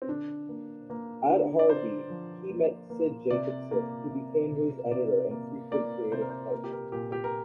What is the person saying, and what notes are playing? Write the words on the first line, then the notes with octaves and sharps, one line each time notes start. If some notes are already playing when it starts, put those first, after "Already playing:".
At Harvey, he met Sid Jacobson, who became his editor and frequent creative partner.
C4
D3 D4
A#3
A#3
D3
D5
D3 C5
F3
A#3
A#3
C3 D5
A#3
C3
C3
C3 D5
A#3
A#3 D5
C3 C5
A#4
C5
A#3 A#4
G4
A#4
A#2 G4
G4
A#4